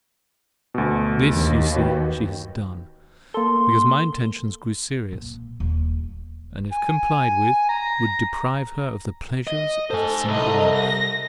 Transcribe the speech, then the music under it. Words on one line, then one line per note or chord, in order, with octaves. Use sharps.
This, you see, she has done, because my intentions grew serious, and if complied with, would deprive her of THE PLEASURES OF A SINGLE LIFE!
D2 B2
D#2
F#4 B4 G5
A#3 A4 C6
A#2
D#1
G#5
A#5
D#5
A4 C5 G#5
C2 D#5 A#5
A#6